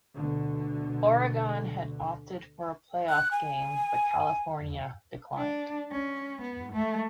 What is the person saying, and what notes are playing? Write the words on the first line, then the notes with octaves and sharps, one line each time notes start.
Oregon had opted for a playoff game, but California declined.
D2 B2 D3
F#6
G#5
D4
C#4
B3
A3